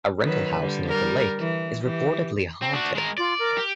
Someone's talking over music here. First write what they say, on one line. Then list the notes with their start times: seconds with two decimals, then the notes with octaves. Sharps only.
A rental house near the lake is reportedly haunted.
0.23 D#3 F#3 B4
0.59 D3 G3
0.89 G3 A#4
1.39 E3
1.82 E3 G4
2.62 C4
2.73 D4 F#4
2.95 G#3 A#4
3.18 F4 D5
3.39 A#4
3.57 G4